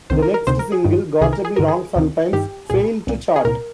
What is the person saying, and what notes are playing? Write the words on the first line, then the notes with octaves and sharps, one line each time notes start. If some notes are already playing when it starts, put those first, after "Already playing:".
The next single, "Gotta Be Wrong Sometimes", failed to chart.
C2 C3 D#3 C5
A#4
A#4
D2 C3 D#3 C5
A#4
G#4
G2 D#3
C2 C3 D#3 G#4
A#4
G#4
G2 D3 A#4
G#4
D2 C3 D#3
G2 D#3 G4
C2 A#2 G#4
C2 A#2
G#4
C2 A#2 A#4